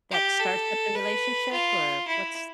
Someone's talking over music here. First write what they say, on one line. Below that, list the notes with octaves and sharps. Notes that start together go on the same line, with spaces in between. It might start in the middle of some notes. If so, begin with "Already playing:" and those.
that starts up the relationship, or, what's
G4
A4
B4
F4
E4